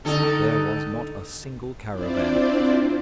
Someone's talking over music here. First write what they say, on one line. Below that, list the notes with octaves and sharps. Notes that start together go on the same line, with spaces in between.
There was not a single caravan.
D3 D#4 A4
C4 D4 E4 F4 C5 D5